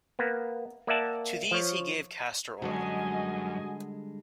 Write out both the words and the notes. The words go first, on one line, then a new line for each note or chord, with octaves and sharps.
To these he gave castor oil.
A#3 B3
A#3 D5 E5 F#5 A5
F3 C#5
F#2 D3 G3 G#3 F#4 D#5 G#5